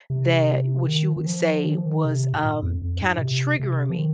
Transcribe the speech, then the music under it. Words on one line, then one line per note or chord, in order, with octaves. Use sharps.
that which you would say was, um, kinda triggering me.
C3
D#3
D#3
F3
D#3
F3
D#3
C3
G#2
A#2
G#2
F2
F2
G#2
A#2
C3
C3
F3
D#3